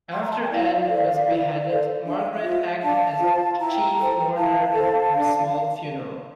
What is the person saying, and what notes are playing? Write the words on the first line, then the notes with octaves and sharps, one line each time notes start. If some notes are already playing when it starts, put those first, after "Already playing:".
After Anne was beheaded, Margaret acted as chief mourner at her small funeral.
C6
A#5
A5
G5
E4 D5 F5
A4 C5
E4
A4 C5
D4 E5
F5
E5
F4 C5
D4 F5 A5
F4 C5
E4 G5 A#5
A4 C5
E4 F5 A5
A4 C5
D4